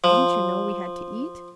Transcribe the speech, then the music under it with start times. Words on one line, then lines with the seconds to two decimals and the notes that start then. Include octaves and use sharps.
Didn't you know we had to eat?
0.04 F3